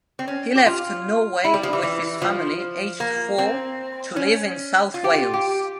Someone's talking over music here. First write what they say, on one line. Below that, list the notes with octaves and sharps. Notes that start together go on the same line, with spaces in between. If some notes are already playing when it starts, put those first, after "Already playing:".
He left Norway with his family aged four to live in South Wales.
C4
C#4
G4
F4
E4
G3
F3
E3
E3
F3
A#3
C4
C#4
F4
G4
F4
G4